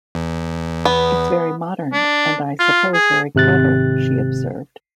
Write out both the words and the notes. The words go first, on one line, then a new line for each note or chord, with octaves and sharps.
"It's very modern, and I suppose very clever," she observed.
E2
B3
D4
F4
G#4
G#1 C3 F#6 A6